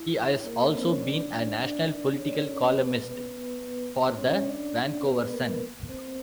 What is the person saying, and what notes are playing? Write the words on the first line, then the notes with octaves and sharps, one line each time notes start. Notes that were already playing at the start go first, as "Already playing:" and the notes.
He has also been a national political columnist for the "Vancouver Sun".
Already playing: E4
A#3 A#4
A#3 A#4
C4 C5
C#4 C#5
D4 D5
D4 D5
C#5
D5
C#4 C#5
B3 B4
B3 B4
B3 B4
C#4 C#5
C#4 C#5
D4 D5
B3 B4
A#3 A#4
C4 C5